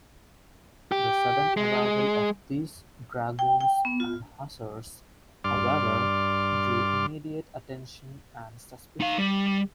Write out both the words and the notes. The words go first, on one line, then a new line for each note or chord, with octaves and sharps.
The sudden arrival of these dragoons and hussars, however, drew immediate attention and suspicion.
G4
G#3
G5
G5
B3
F4
G2 D5 C6 D6 F6
D#4 F5
G3